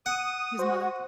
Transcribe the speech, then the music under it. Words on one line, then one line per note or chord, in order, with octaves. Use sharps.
His mother.
F#5 D#6
F#4 C5